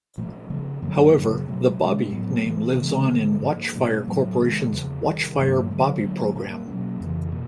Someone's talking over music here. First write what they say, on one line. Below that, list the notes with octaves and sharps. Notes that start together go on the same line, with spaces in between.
However, the Bobby name lives on in Watchfire Corporation's Watchfire Bobby program.
A#2 F3 A3
C#3 F3 A3 C4
F#2 D3 F#3 A#3
F#2 C#3 F#3
B2 F#3 A3
B2 G#3 C#4
A2 F#3 B3
C3 E3 G3 B3
C#3 E3 G#3 B3
D3 F3 G#3
G#2 F3 A#3
B2 G3 A#3 C#4
A2 F#3 A3 C4
C3 D#3 G#3
E2 C#3 F3
C3 D#3 G3
G2 D#3 F#3 A#3
D3 F#3 A3
D3 F#3 A#3 D4
A#2 G3 A#3
B2 F#3 A#3 C#4
F2 C#3 E3
B2 A#3